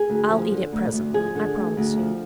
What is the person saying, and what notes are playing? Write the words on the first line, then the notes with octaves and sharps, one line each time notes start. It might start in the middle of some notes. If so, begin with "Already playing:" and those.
I'll eat it presently; I promise you.'
Already playing: G#4
D2
F3
D3
D2
D2
F3 G#4
D3
D2
D2
F3